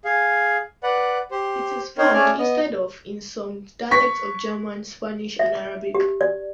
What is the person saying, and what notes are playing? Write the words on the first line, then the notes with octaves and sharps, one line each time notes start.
It is found instead of in some dialects of German, Spanish and Arabic.
G#4 F5
B4 D5 F#5
G4 C5
C4 D#4 A#4 C5 C#5
A3 C#4 G#4 A4 D5 F6
B3 D#5
C#6 B6
E5
G4
D5